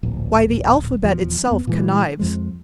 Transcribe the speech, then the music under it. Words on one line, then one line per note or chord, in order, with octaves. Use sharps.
Why, the alphabet itself connives.
D1 A#1
D#1 E2 F3
F2 B3
A#2 E3 G#3
F2 F3 G#3